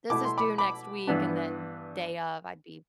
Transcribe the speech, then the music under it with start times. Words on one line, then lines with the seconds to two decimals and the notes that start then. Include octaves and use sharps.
this is due next week," and then day of, I'd be,
0.10 B2 A3 E4 D6
0.24 C6
0.38 B5 D6
0.58 B5 D6
1.07 G2 E3 B3 D4